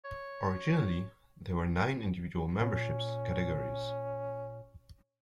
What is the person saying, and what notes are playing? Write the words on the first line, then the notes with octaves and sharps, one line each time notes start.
Originally there were nine individual membership categories.
C#5
A#2 C#4